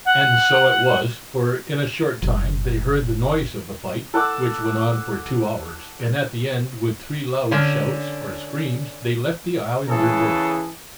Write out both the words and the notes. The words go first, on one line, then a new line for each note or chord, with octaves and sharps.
And so it was, for in a short time they heard the noise of the fight, which went on for two hours, and at the end, with three loud shouts or screams, they left the isle in their boats.
F#5
F#1
A4 F#5 D6 E6
D3 C#4
C#3 E3 G#4 A4